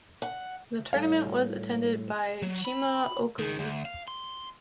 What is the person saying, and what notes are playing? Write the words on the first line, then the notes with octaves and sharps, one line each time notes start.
The tournament was attended by Chima Okorie.
F#5
A2 G3 A4 C#5 F5
F#3
B5
C#2 D#3
D2
F5
C6